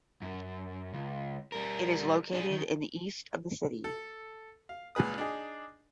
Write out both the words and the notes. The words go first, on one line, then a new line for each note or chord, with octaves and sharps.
It is located in the east of the city.
F#2
C#2
G3 A#4
D4 G#4
D#3
A4
F5
C#2 A#2 G#4 B4 D#6
D4 D#4 G#4